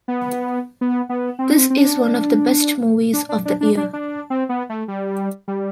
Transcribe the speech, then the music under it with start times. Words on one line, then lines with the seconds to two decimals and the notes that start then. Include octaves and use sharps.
This is one of the best movies of the year.
0.08 B3
0.81 B3
1.09 B3
1.39 C4
1.53 D4
1.58 C4
1.70 C4
1.78 D4
3.13 D4
3.29 D4
3.45 D4
3.61 D4
3.77 D4
3.93 D4
4.30 C4
4.49 B3
4.70 A3
4.88 G3
5.48 G3